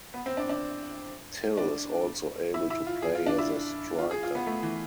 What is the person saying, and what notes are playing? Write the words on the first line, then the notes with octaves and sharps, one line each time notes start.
Till is also able to play as a striker.
B3
C4
D4
D4
D4
E4
E4
F4
G#4
F4
D4
E4
F4
G#4
F4
B3
A3
E3